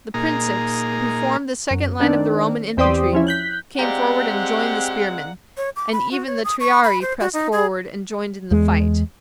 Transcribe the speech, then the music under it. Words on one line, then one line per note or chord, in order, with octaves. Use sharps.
The principes, who formed the second line of the Roman infantry, came forward and joined the spearmen, and even the triarii pressed forward and joined in the fight.
A#2 A#3 D#4 G#4 A#5
F#2
D#3 C4 D4
E2 C4 G4 C5 D5 D#6
F3 C#4 E4
F#6 G6 B6
G#3 C4 G4 D5 F5 F#5 A#5
C#5
D6
B5
F#4
C#5
D#6
C#6
B5
C5
F#4
D#4
G#4
E2 G#3